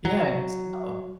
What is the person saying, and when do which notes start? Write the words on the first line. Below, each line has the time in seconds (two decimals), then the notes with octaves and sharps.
Yeah, I guess so.
0.05 F#3